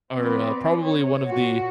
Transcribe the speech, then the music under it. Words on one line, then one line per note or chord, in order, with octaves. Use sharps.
are, uh, probably one of the
F3 B3 C4 B4 D5
C#5
A#2 F#4